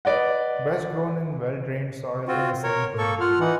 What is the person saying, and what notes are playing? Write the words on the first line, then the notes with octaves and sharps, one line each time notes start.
Best grown in well drained soil in a sunny position.
B4 D5 D#5 F#5
C4 F4 F#4
A#4 C#5
A#3 A4 C#6
F4 F#5 F6
E3 D#4 F#5